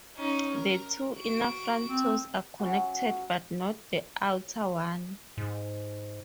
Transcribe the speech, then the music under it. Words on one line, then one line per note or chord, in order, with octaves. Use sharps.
The two inner front toes are connected, but not the outer one.
C#4 D#4
A#4
F#4 D7
C4
F#3 C#4 F#4
G#2